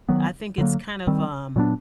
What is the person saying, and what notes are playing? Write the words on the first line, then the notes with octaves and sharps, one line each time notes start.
I think it's kind of, um d
D#3 F#3 B3
D3 F#3 A#3
D#3 G3 C4
A#2 F#3 B3 D4